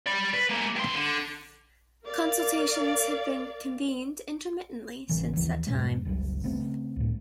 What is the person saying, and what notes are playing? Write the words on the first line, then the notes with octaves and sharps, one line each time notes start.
Consultations have been convened intermittently since that time.
D5 B5
B4
G#3 A#3
G2 C6
D3
A#4 D5 F5
G#1 C#3 E3
D#2 E3 F3
F2 G#2 B2 G#3
F#1 C#2 F#2 G3
C#3 A3 B3 C4
C#2 A2